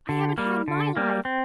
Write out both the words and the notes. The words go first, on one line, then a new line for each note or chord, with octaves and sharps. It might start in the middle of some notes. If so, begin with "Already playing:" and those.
I haven't had my life.
D3
G3 A#3
D3
G3 A#3
C4